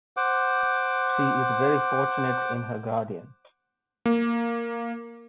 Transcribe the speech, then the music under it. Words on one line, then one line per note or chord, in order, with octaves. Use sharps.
She is very fortunate in her guardian.
C5 F#5 D6
A#3